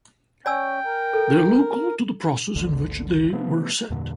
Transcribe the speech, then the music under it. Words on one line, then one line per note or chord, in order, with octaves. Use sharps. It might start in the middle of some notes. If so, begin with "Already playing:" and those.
They are local to the process in which they were set.
C#4 D5 G5 G#5 E6
A#4
A4
G#1 D2 D3
C3 F3 A3 B3
E2 G2 A#2 D3